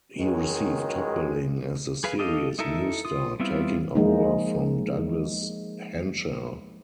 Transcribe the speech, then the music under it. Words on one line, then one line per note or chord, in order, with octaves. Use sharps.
He received top billing as the series' new star, taking over from Douglas Henshall.
C#2 D#3 F#3 G#3
G#4 B4 F5
G4 A4 D#5 F5
D#4 E4 A4 A#4 E5
F4 D#6
G3 B3 C4 E4 F4
F3 G#3 A#3 D#4